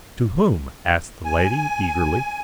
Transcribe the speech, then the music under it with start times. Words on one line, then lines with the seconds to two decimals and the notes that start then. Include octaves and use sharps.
"To whom?" asked the lady, eagerly.
1.25 G#5